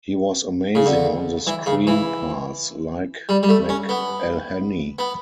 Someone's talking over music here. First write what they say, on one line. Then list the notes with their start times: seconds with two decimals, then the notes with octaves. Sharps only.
He was amazing on the screen pass, like McElhenny.
0.75 C#3
0.86 D3
1.47 E3
1.66 C#3
1.87 E3
3.29 G3
3.43 G3
3.49 A3
3.69 C#4
3.89 B3
4.99 B3